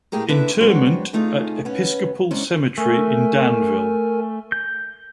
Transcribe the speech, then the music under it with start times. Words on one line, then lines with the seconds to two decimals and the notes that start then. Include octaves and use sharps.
Interment at Episcopal Cemetery in Danville.
0.12 A2 A3 G4 G#4 A#4
0.28 D3 D4 E4 B4 E5
0.60 F#3 G#3 B3 C4 D4 F#4
1.13 C3 A3 D#4 F4 G#4
1.65 B3 C#4
2.31 G#2 C#4 D4
2.78 A3 A#4 G#5
4.52 G6